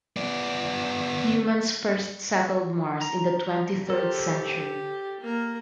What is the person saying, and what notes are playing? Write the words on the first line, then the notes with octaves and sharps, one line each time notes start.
Humans first settled Mars in the twenty-third century.
B3 D5
A#5
G4 A4 A#4 C5
A#3 A#4